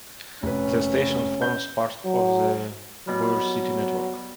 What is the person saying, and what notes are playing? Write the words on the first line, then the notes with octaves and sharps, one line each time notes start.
The station forms part of the Bauer City network.
F1 C#4 B4
G6
F#3
B2 F#3 G3